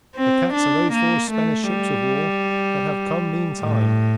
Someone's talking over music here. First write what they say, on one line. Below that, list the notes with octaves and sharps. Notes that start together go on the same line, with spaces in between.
The cats are those four Spanish ships of war that have come meantime.
C4
D4
A#3
A3
G3
A2